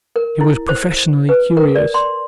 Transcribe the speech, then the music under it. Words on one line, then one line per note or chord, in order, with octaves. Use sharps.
He was professionally curious.
A#4
E4
C5
B4
A#4
D5
C6